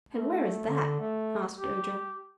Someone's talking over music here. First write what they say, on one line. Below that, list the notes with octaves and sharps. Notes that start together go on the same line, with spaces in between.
"And where is that?" asked Ojo.
A3
D3
A3
G4